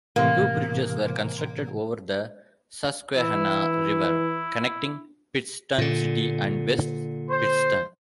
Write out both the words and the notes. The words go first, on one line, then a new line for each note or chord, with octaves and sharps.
Two bridges were constructed over the Susquehanna River, connecting Pittston City and West Pittston.
A2 C3 E3 A#3
E3 E4
A#2 D3
C5